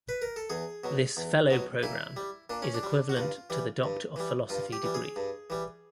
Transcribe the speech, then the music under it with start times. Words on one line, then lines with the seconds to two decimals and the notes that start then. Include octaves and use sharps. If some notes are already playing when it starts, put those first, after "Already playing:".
This Fellow Program is equivalent to the Doctor of Philosophy degree.
0.09 B4
0.22 A#4
0.36 A4
0.50 E2 G#4
0.84 B2 F#3
1.17 E2
1.51 B2 F#3
1.83 A#2 E4
2.16 G3
2.50 A#2 D4
2.62 C#4
2.74 D4
2.83 G3
3.09 F#4
3.16 G2 F4
3.50 E3 G3
3.84 G2
4.16 E3 G3
4.49 G2 F4
4.72 G4
4.83 E3 G3
4.94 G#4
5.16 G2
5.50 E3 G3